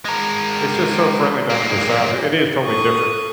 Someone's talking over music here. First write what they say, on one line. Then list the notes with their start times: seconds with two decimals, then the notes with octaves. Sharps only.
it's just so friendly down in the South, i it is totally different.
0.05 G#3 A#4
1.50 F#3 A#3
2.62 A4 C#6 D#6